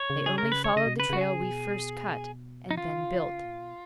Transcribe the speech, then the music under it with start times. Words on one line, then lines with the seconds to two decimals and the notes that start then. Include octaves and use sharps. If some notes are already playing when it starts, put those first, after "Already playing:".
They only followed the trail we first cut and then built.
Already playing: C#5
0.10 C#3
0.26 G#4
0.38 A#4
0.43 C#3
0.52 B4
0.64 C#5
0.76 C#3 D#5
0.86 B2
0.96 C#3 B4
1.10 C#3 F#4
1.21 G#4
1.43 B2
2.71 D#4
2.77 C#3 F4
3.45 A#2
3.62 B2